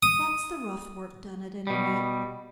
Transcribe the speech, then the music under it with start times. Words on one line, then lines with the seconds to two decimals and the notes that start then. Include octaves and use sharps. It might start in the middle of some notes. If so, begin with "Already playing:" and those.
"That's the rough work done, at any rate."
0.03 D#6
1.67 B2 G3